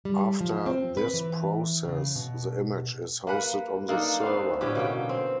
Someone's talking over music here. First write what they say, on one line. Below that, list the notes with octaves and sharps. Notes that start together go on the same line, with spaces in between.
After this process, the image is hosted on the server.
G3
F3
C4
B4
E3
C#3
B2
A#3 B4 F#5
A#3 D4 D#4 A4
B3 C4 F5
A2 D3 C#4 G4
B2 A#3 G4 G5
C4